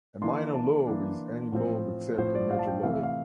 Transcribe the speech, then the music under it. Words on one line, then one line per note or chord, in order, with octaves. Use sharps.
A minor lobe is any lobe except a major lobe.
E3 A#3 D4 C6
A5
E3 A#3 D4
A2 F3 C4
A2 F3 C4 C5
C5
D5
F5
A5
G5
C3 E3 A3 F5
E5
F5